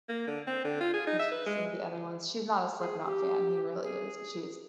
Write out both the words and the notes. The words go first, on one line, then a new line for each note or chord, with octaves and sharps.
uh, some of the other ones. She's not a Slipknot fan. He really is. But she's.
A#3
D3
C4
D3
F4
G#4
D#4
E5
B4
G#3
G#4
G4
G#4